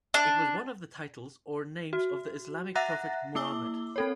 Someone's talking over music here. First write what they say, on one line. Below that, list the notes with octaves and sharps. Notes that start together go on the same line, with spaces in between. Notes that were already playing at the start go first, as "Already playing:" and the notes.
It was one of the titles or names of the Islamic prophet Muhammad.
D4
F#4
E5 F#5 A#5 F#6 A6 A#6
A#3 E4 D6 E6 G7
C4 A4 C#5